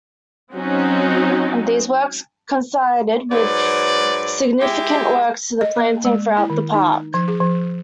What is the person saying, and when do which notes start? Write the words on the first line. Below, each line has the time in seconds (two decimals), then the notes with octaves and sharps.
These works coincided with significant works to the planting throughout the park.
0.54 F#3 C4 C#4 D#4 F#4
3.32 G#2 F#3 B4 D5
4.59 G#3 E4 G4
5.61 D#5
5.76 A#3
6.05 G#3
6.38 E4
6.50 D#3
6.74 D#4
7.14 F3
7.28 G#4
7.40 F3